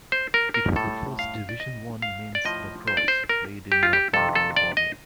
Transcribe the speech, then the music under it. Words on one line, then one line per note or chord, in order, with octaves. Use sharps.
It was the first Division One men's lacrosse played in Northern California.
C5
A#4
A#4
A2 G3 A4
F5
D5
D#5
F5
D5
A2 F3 D#5
C5
D5
C5
A#4
G4
F4
G4
F2 C3 D#3 A4
A4
D5
D#5